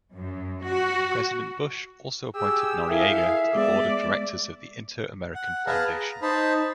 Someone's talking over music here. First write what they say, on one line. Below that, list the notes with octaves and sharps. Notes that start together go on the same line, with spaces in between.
President Bush also appointed Noriega to the Board of Directors of the Inter-American Foundation.
F#2
F#4
G4 G#4 E6
E4 A4 A#4 E5 F5
G#3 B3 D5
F#5
G#4 B4 F5 A5 A#5
A#5
D#4 C5 A5 B5